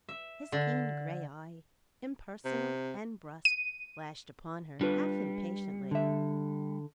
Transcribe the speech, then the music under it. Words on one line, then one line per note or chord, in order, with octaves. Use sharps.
His keen grey eye, impersonal and brusque, flashed upon her half impatiently.
E5
D3
C3
D#7
G3 D4 F4 B4
D3 E5